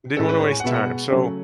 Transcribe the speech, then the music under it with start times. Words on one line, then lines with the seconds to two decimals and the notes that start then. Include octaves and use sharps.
Didn't want to waste time. So
0.17 A2 G#3 C#4 A4
0.29 B4
0.40 C#5
0.52 G#5
0.60 F#5
0.64 B2 G#3 B3 E5
0.74 F#5
1.11 C#3 F#3 A3 C#4